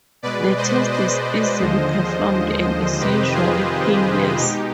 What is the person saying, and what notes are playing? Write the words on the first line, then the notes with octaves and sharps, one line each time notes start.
The test is easily performed and is usually painless.
B2 G#3 B4 D5
C5 D#5
C5 D#5
D#2 D3 F3 G#3
F2 C3 D#3 G4 B4
F4 G#4
B2 G#3 D#4 G4